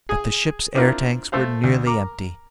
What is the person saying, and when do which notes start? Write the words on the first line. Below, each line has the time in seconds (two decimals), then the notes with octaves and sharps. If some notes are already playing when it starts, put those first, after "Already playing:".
But the ship's air tanks were nearly empty.
0.09 G#4 G#5
0.75 C4 D4 E4 F4 A#4
1.32 A3 A4 C5 F5
1.64 D2
1.86 A#4 A#5 D6